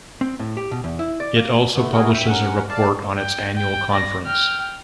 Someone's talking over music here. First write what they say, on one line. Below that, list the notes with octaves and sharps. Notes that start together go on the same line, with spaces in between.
It also publishes a report on its annual conference.
C4
A2
G4
B2
E2
E4
D5
A#3
B2 D3 A3 B3
B3 E4 F#4 G#4 A#4
G2 E5 G5
C#4 A#4 F#5
D5 F5 A5
G5
G5
D5 A#6
G5 F6